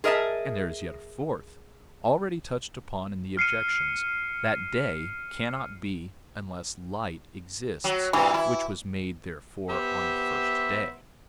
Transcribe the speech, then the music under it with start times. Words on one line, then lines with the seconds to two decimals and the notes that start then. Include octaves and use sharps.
And there is yet a fourth, already touched upon in the objections; that day cannot be unless light exists, which was made therefore on the first day.
0.04 G#4 A#4 D#5 E5 A5
3.37 F6 C7 C#7 D#7
7.84 F#3
8.13 G2 A#2 E3 C4
8.34 E4
9.70 B3 G4 C5 E5